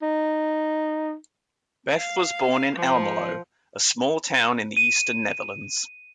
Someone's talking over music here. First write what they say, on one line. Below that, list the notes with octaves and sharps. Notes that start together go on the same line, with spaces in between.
Beth was born in Almelo, a small town in the eastern Netherlands.
D#4
F5
F3
D#7